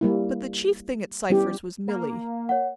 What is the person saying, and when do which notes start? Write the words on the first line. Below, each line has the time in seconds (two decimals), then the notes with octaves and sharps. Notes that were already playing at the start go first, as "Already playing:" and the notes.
But the chief thing at Cypher's was Milly.
0.01 G3 A#3 E4
1.30 G3 B3 C#4 E4 G4
1.88 A#3
2.49 C#5 F#5